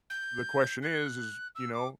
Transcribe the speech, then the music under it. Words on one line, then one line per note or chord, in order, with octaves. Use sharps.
The question is is you know,
G6
F#6
E6
D6